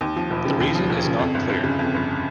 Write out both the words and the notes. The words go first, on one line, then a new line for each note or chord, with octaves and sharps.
The reason is not clear.
D#2
F3
E1
C#3
D#2
F3
E1
C#3
F2
G1
G1
C#3
F2
G1